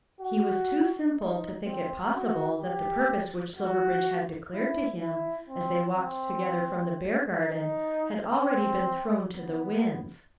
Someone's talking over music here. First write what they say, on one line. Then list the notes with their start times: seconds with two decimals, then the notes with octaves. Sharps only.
He was too simple to think it possible that the purpose which Silverbridge had declared to him as they walked together from the Beargarden had already been thrown to the winds.
0.20 F#4
1.17 D#4
1.65 C4
2.13 F#4
2.61 G4
3.56 F#4
4.53 E4
5.01 E4
5.49 C4
5.97 C4
7.40 D#4
8.37 C4
9.33 B3